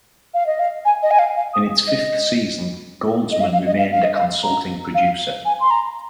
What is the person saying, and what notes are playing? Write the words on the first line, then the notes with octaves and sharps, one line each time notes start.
In its fifth season, Goldsman remained a consulting producer.
F5
D#5
F5
G#5
D#5
G#5
F5
F5
D#6
D#5
D#5
F5
F5
D#5
F5
F5
D#5
F5
A#5
F5
G#5
C6
A#5